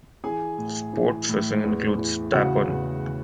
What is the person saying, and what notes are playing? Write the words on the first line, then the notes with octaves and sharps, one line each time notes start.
Sport fishing includes tarpon.
E3 G#4 G#5
A2
E3
A2
E2
E3
C#3 F#4 F#5
E2